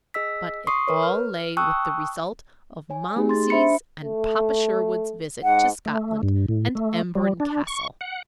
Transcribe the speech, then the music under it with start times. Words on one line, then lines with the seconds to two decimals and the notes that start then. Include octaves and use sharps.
But it all lay with the result of Momsey's and Papa Sherwood's visit to Scotland and Emberon Castle.
0.14 G#4 D#5 E6 B6
0.67 C6 C#6 D#6 C7
0.88 A#4 B4 C#5
1.03 F6
1.57 G5 A5 C#6 D#6 E6 F#6
2.90 C#5 G#5
3.16 A3 D#4 G4 G#4
3.29 C6 A6
3.50 D4 C5 E5 B5 C#7
4.00 A3
5.44 G#2 F#5
5.86 A3
6.23 G2
6.48 A2
6.75 A3
7.15 G3
7.40 D4
7.67 C#6
8.01 F#5